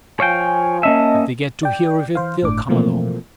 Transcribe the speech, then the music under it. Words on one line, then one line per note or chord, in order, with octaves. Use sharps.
If they get to hear of it they'll come along.
F3 C#5 F5 G5 G#5
A#3 C#4 D#5 E5 A5
D5 G5
E3 C5 F5
G1 A2 D4 D6
B2 E3 F3 A3 A#3 C4